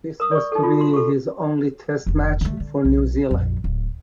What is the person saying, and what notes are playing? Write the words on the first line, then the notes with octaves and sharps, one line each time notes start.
This was to be his only test match for New Zealand.
A#4 D#6
D5 C#6
D#4 A4
F4 F#4
C6
A4 C#6
F1 B2
D3 A3
D3
B1
A#1 F2
D1